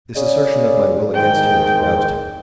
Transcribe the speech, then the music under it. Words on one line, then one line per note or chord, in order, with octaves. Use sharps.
This assertion of my will against his roused him.
C#3 D5
G#2 D#3 G5